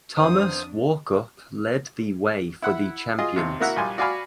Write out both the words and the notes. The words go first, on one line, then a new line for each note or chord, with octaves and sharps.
Thomas Walkup led the way for the champions.
F2 E3 B3 D4 D#4 C5 D#6
E4 F#5 B5
F4 G#4 D#5
D#2 C3
A#3 E4 F#4 A#4 E5 F#5
A#1 G3 G#5 C6
F#4 D5 F5 G#5 B5 F6